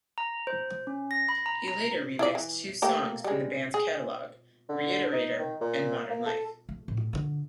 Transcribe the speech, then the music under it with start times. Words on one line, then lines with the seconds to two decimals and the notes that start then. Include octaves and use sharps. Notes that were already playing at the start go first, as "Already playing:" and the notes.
He later remixed two songs from the band's catalogue - "Reiterator" and "Modern Life".
0.18 A#5
0.47 C5
0.87 C#4
1.11 A#6
1.29 B5
1.46 A#5
1.68 A#5
2.19 E4 F4 D5
2.35 E3
2.82 A3 A#3 G4
3.24 G3 G#3
3.74 G#4
4.69 D3
5.12 D#4
5.39 D#3
5.61 A#2
6.10 A#3
6.26 A4
6.69 A3
6.88 A2
7.13 D3